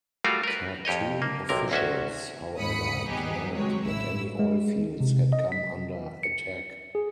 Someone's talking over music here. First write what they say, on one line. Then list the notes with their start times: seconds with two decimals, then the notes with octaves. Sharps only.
Khartoum officials, however, denied that any oil fields had come under attack.
0.24 G3 A3 F4 F#4 A#4 F5
0.43 A#4 B4
0.85 F2 G4 C#5 D#5
1.22 A#3
1.49 B1 C3 A#4
1.72 D2 C#4 F#4 E5
2.59 D#2 G#2 B5 D#6 C#7
3.08 G3 B3 D#4 G4 G#4
3.52 F#3 G#3 C4 C#5
3.85 A1 E4 E6
4.39 G#3
5.00 C3
5.33 D#5
5.52 B6
6.23 C#7
6.95 G#4